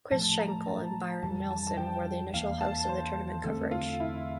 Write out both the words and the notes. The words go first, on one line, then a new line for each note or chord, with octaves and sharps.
Chris Schenkel and Byron Nelson were the initial hosts of the tournament coverage.
A2 F3 A3 A5
A#5
A5
F2 E3 G3 A5
A5
A5
G5
E2 E3 A#3 F5
A5
C5
E2 D3 A3 C4 A4
F4
E4